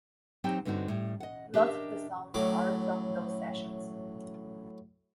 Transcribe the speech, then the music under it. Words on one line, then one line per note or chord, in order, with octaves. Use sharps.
Lots of the songs are from those sessions.
F#3 C4 D#4 G4 C5 G5
G2 D3 C4 D#4 F#4
A2 G3
D#5 F#5
D4 G4 A#4 B4 D#5 E5
A2 F#3 D6